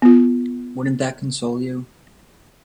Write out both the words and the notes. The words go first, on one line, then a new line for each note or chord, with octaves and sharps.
Wouldn't that console you?
B3 F4